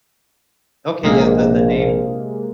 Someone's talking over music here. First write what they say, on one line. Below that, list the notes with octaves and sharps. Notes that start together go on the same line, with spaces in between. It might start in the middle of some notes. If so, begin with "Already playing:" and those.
Okay, yeah, the the name
A#1 C3 G#3 A#3